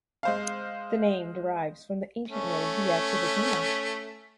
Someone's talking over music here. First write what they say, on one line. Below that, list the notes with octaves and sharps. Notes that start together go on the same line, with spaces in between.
The name derives from the ancient road Via Tiburtina.
G#3 C5 F5
A3 C#4